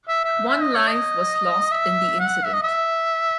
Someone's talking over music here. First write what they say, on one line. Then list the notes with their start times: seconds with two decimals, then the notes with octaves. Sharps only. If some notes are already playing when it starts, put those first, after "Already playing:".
One life was lost in the incident.
0.08 E5
0.24 E5
0.49 E5
0.62 D#5
0.74 C#5
0.87 D#5
1.71 E5
2.20 F#5
2.45 E5
2.53 D#5
2.63 E5